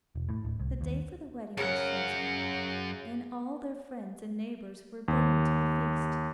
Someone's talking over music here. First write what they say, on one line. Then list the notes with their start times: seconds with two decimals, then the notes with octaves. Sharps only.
The day for the wedding was chosen, and all their friends and neighbours were bidden to the feast.
0.15 E1
0.29 A2
0.45 D1
0.60 C2
0.81 D#2
1.57 F#2 C#3 C#4 A#4 F#5
5.08 D#2